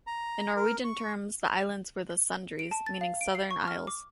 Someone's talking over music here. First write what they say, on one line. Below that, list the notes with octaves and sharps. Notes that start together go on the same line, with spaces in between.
In Norwegian terms, the islands were the "Sudreys", meaning Southern Isles.
A#5
A#4
C#6
D7
A5
A6
F5
D7
C7
C#6
F6
D6